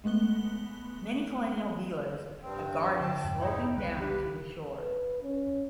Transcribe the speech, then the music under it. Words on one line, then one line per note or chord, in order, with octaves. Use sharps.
Many colonial villas have gardens sloping down to the shore.
G#3 A3 B3 F#6 G7
G2 C4
D3 G5 A5
F2 G#2 C3
D#4 E4
C2 C#3 G3 B4
G4
B4
C#4